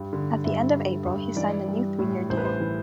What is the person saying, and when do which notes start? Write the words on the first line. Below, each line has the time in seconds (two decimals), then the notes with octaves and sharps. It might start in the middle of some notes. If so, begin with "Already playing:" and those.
At the end of April, he signed a new three-year deal.
Already playing: G2 G3
0.13 D3
0.44 G2 E5
0.75 G3
1.05 G2
1.36 E3 D5
1.68 G3
1.99 A2
2.30 A1 C5
2.37 B4
2.45 C5
2.60 E3